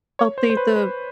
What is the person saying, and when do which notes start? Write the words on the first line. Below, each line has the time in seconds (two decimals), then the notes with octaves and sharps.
update the
0.19 C#5
0.38 C5
0.50 C5
0.57 B4
0.76 B4